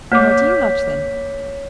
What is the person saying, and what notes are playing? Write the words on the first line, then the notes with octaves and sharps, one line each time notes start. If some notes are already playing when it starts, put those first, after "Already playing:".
"And where do you lodge, then?"
A#3 C#5 D6 G6 B6